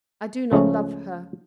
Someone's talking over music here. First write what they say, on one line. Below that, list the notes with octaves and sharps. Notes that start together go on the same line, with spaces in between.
I do not love her.
C#2 C#3 F3 A3 C#4